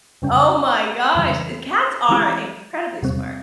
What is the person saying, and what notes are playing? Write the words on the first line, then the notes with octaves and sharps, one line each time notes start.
Oh my gosh, e cats are incredibly smart.
F2 C#3 G3 C#4
F2 C#3 E3 G3
E3 G#3 C4 E4 G4
E2 C3 G3 C4